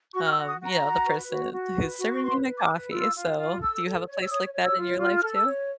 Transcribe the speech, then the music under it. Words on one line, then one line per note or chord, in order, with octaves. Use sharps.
um, you know, the person who's serving me my coffee, so do you have a place like that in your life too?
F#4 C#6
F6
E6
F#4
D#6
F#4
A#5
F#4
B4
F#4
F#4
B4
F#4
C#6
B4 C6
B4
D6
B4
F4 E6
F4
F4
A4 E6
A4
C#5
E6
C#5 D#6
C#5
E6
F4
F4 F6
F6
A4
E6
C#5